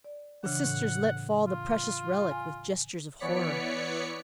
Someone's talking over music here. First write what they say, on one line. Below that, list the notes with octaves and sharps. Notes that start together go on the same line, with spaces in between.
The sisters let fall the precious relic with gestures of horror.
D5
C#3 E3 D4 F#5
A2
F4
G#5
E3 B3 C#5 D5 B6 C#7